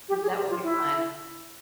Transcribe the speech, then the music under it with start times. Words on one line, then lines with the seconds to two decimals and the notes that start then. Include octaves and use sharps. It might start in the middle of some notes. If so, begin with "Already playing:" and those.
That will be fun.
0.09 G4
0.22 G#4
0.36 G4
0.50 F4
0.63 E4